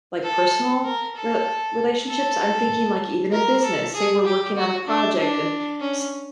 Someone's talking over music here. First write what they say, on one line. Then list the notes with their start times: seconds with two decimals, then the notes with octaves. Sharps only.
like, personal re relationships, I'm thinking, like, even in business, saw we're working on a project and s
0.23 A4
0.84 A#4
1.16 A4
2.08 A4
3.32 A#4
3.63 A4
3.94 G#4
4.25 G4
4.56 F#4
4.87 D4
5.18 D4
5.80 C#4